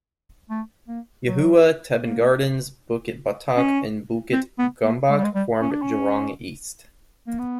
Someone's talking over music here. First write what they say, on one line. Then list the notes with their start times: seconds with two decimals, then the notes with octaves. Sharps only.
Yuhua, Teban Gardens, Bukit Batok and Bukit Gombak formed Jurong East.
0.50 A3
0.88 A#3
1.27 F#3
2.03 A#3
3.57 C#4
4.32 C4
4.59 B3
4.84 A#3
5.10 G#3
5.17 G3
5.24 G#3
5.35 G3
5.61 C#4
5.71 D4
5.82 C#4
7.27 A#3
7.39 B3